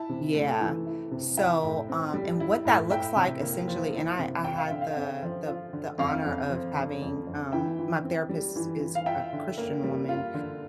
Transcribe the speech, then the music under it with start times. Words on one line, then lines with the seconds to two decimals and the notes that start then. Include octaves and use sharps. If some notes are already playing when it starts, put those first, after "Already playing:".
Yeah. So, um, and what that looks like essentially and I I had the the the honor of having, um my therapist is a Christian woman,
Already playing: E4 A5
0.09 C3
0.34 A3
0.60 E3
0.86 E4
1.11 C3
1.37 E4 E5 G5
1.63 A2
1.89 C4
2.14 G3
2.40 E4
2.65 A2
2.90 E4 E5 G5
3.16 C3
3.42 A#3
3.68 F3
3.94 E4
4.19 C3
4.44 F4 G5
4.58 F5
4.70 D3 E5
4.81 F5
4.97 C4
5.22 F3
5.47 F4
5.73 D3
5.98 F2 F5
6.24 F2
6.49 F3
6.75 D3
7.02 F2
7.27 F2
7.52 E3 E5 G5
7.79 E3
8.04 C4
8.29 G3
8.56 E3
8.80 E3
8.95 F5
9.06 F4 E5 G5
9.33 D3
9.58 A#3
9.84 G3
10.09 F4
10.34 D3